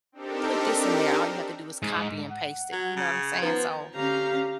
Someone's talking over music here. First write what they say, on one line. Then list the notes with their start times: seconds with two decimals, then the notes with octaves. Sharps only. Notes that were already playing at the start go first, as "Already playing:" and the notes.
put this in there." All you have to do is copy and paste it. You know what I'm saying? So,
0.12 C4 D4 D#4 G4 A4 A#4
1.82 G#2
2.30 F#5
2.72 F#3
2.96 C#3
3.42 F3 B3 D#4
3.94 D3 C#4 G4 F5 A#5 G6